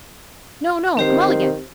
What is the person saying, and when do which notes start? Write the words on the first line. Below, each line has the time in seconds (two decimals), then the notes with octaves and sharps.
No, no, Mulligan!
0.97 D#3 C4 G4 C5